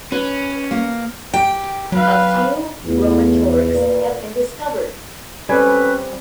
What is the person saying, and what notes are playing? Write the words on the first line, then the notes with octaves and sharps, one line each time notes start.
A few Roman torcs have been discovered.
C#4 B4
A#3
G4 G5
F#3 B4 F5
E2 A2 B3 F4
A#2 B4 D5
G3 C4 C#4 A4 B4 G#5